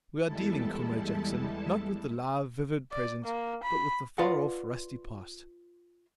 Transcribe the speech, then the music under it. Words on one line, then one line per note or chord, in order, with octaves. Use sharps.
We are dealing, Comrade Jackson, not with the live, vivid present, but with the far-off, rusty past.
E2 G3 G#3 E4 A4 A5
D5
A#3
B5
F4 B4 D5 D#5 F5 F#5